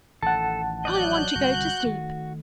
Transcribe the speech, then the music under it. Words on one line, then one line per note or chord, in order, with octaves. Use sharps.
I want to go to sleep.
A1 D#3 A4 F#5 A5
F#3 D5 D#5 F#6 G6
G1 C2 D3 F#4
D#3 A3